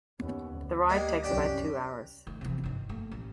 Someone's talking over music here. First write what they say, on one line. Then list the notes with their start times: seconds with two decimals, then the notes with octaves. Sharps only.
The ride takes about two hours.
0.20 D#2 B3 C#4
0.53 D2
0.89 G3 G#3 A#3
1.24 C2 F#2 C#4 D4 G4 G5
2.27 D#3 A3
2.41 C3 E3
2.64 G1 D#3
2.89 A3 A#3
3.11 A1